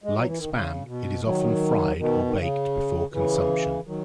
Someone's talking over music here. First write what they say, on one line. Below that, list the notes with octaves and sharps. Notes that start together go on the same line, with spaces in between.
Like Spam, it is often fried or baked before consumption.
G#3
F#3
E3
D#3
C#3
B2
D#3 F#3
B2 D#3
D#3
C#3
C#3 E3
D#3 F#3